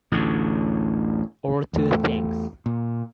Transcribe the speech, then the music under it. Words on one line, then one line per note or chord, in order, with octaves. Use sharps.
Or to things.
A1 D2 D3
E2 A3
A#2